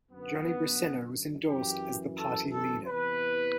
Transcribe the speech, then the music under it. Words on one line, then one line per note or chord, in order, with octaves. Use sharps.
Johnny Briceno was endorsed as the Party Leader.
F#2 D3 B3
F#2 E3 G4
A4
A4
E2 C3 E3 B4